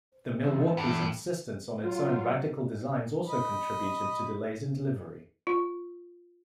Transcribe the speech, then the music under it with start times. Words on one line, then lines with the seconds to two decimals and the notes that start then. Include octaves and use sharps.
The Milwaukee's insistence on its own radical designs also contributed to delays in delivery.
0.44 G#2 E3 C4
0.77 G2 E3 A3 F#5
1.84 F#3 F4
3.28 D#5 B5
5.47 F4